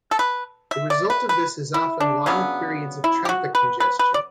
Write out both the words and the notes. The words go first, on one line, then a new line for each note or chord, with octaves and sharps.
The result of this is often long periods of traffic congestion.
A4
B4
E5
D5
B4
B4
E4
D4
C#3 F#3 B3
E4
G4
F#4
B4
B4
B4
D5